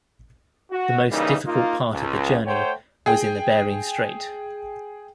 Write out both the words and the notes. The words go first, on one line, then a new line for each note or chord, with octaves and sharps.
The most difficult part of the journey was in the Bering Strait.
F#4
C#3 E3 G3 A#3 D#4
A#3 D#4 F4
C#2
A3 C5 C#5 F#5 G5
G#4 G5